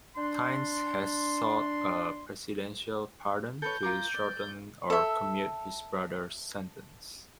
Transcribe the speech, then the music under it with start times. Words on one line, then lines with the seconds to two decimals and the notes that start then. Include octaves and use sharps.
Tynes has sought a presidential pardon to shorten or commute his brother's sentence.
0.17 D4 C6
3.62 A4 B4 C#5 G6
3.83 F4 A#4 D6
4.14 D5
4.90 A4 E5